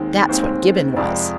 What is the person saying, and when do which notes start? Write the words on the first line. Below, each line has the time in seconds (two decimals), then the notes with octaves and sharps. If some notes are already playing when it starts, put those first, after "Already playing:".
That's what Gibbon was.
Already playing: D#2 D#3 G#3 C4 C5
0.28 D#2 D#3 G#3 C4 C5
0.96 F2 C3 F3 G#3 D5